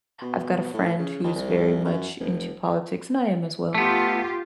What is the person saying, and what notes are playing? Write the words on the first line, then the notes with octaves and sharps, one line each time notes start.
I've got a friend who's very much into politics, and I am as well,
B2
A2
C#3
D#2
C2
F#2
F1
A3 B3 F4 G4